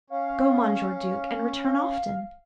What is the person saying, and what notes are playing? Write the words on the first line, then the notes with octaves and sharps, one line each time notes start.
Go, Monsieur Duke, and return often.
C#4 F5